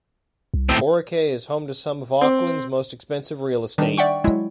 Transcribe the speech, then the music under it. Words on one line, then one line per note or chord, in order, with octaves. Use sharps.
Orakei is home to some of Auckland's most expensive real estate.
C2
A2 C4
C4
D#3 G3 D4
D5 E5 F#5 G5 C#6
F#3 G#3 E4